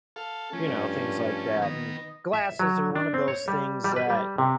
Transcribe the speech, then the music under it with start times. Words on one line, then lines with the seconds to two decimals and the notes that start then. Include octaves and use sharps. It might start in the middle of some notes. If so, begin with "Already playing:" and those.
you know, things like that, and glasses are one of those things that,
0.16 A4 F5
0.53 F3 A3 C#4
0.67 G2
1.62 D#3 B3 D#5
2.33 E5
2.59 F#3
2.96 D4
3.14 C4
3.28 C#5
3.48 G3
3.84 G3
3.96 B4
4.10 G3
4.38 C3